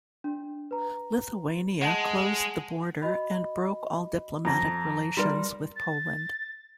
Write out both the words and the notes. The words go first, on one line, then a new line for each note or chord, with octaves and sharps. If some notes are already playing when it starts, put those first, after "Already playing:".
Lithuania closed the border and broke all diplomatic relations with Poland.
D4
B4 A#5
G#3 F#5 A5
F#4 D#5 B5
F2 A#5 A#6
G3 A#4 C6
A6